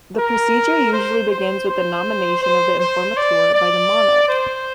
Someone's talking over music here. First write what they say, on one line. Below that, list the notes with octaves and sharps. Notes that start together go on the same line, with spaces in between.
The procedure usually begins with the nomination of the "Informateur" by the monarch.
A#4
C5
C5
C5
C5
C5
D5
D5
C5